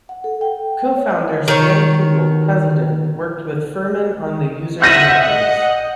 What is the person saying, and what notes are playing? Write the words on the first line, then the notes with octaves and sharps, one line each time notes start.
Co-founder Stan Kugell, President, worked with Firmin on the user interface.
F#5
A4
G5
C#5
D#5
D#3 C#5
D#5 E5 F#5 G6 A#6 D#7
D#5 F#5